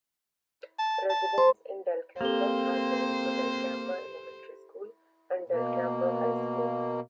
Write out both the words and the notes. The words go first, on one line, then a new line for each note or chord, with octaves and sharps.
Residents in Delcambre are zoned to Delcambre Elementary School and Delcambre High School.
A5
A5
C5 C6
A#3 C4 G4 A4 C5 G7
B2 A#3